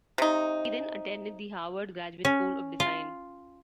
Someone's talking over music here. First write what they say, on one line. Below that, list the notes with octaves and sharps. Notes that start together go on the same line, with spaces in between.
He then attended the Harvard Graduate School of Design.
C3 D#4
C#4
F4